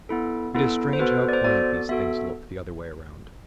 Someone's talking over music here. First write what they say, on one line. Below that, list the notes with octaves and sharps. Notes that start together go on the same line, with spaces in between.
It is strange how quiet these things look, the other way round.
B3 E4 A4
B3 E4 A4
C5
B3 F#4 A4 B4
D5
C5
B3 F#4 A4 D5
B3 F#4 A4 E5